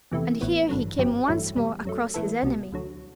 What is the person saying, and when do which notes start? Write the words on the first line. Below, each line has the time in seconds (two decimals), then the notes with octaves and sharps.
And here he came once more across his enemy.
0.11 E2 C3 E3 A3
0.41 A1 A2 E3 B3
0.69 A1 G2 D3 F#3
0.98 G1 F#2 F#3 C4 G4
1.28 A1 G2 F#3 A3 E4
1.56 E2 B2 G3
1.85 F#2 F#3 A3
2.14 A2 E3 B3 E4 A4
2.43 C2 B2 G3
2.72 D2 D3 F#3